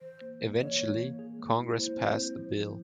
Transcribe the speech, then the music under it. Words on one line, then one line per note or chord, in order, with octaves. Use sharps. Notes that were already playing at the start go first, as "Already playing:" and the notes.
Eventually, Congress passed the bill.
E3 C5
A#3
A#3
E3 C#5 D#5
A#3
A#3
G#4
G#3
E4
E4 C5
C4
E4
F3
F3